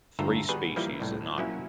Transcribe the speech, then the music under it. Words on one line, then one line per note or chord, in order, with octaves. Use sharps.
Three species are known.
G1 D2 G2 F4 A4 A#5
G3 B3 F#4 G#4 B4
E3 F3 G3 A#3 E4
C2 A2
F3 F#3 A#3 C#4 E4